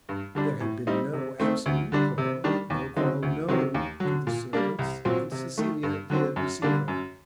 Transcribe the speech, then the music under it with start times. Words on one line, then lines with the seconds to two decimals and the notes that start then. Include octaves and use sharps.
There had been no absolute quarrel, no quarrel known to the servants, and Cecilia did receive her.
0.09 G2
0.35 D3 G3 D4
0.61 A2
0.87 G3 C4 D#4
1.13 C3
1.40 D#3 A3 C4
1.66 D2
1.92 D3 G3 D4
2.18 C3
2.44 D#3 G3 D4
2.70 D#2
2.96 D3 F#3 C4 D#4
3.23 D2
3.48 C3 D#3 F#3 C4
3.74 D#2
4.00 D3 F#3
4.27 A#2
4.53 G3 A#3 D4
4.79 C2
5.05 A#2 F#3 C4
5.32 C3
5.58 D#3 A3
5.83 G2
6.10 D3 F#3 C4
6.36 F#2
6.62 D3 G3 A#3 D4
6.88 F#2